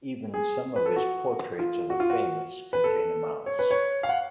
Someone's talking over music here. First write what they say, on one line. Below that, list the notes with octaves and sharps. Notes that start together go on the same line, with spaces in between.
Even some of his portraits of the famous contain a mouse.
G#4
B4
A4
F#4
F4
F#4
F4
F#4
B4
A4
C#5
B4
C#5
F5
F#5